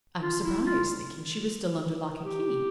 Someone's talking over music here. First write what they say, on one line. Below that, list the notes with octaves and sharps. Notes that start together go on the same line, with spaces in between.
I was surprised, thinking she was still under lock and key.
F4
E4
F4
G4